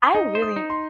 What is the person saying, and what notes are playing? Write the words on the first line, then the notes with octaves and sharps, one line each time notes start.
I really
D#4 D#5
C5
D#6
D#4
C6